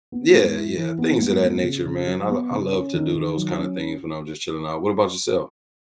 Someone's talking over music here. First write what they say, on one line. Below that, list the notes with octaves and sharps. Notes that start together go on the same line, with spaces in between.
yeah, yeah, things of that nature, man. l I love to do those kinda things when I'm just chilling out. What about yourself?
B3
G#2
E4
E3
B3
G#2
B3
C#3
C#3
F#3
B3
C#3
C#4
D#3
D#3
F#3
C#4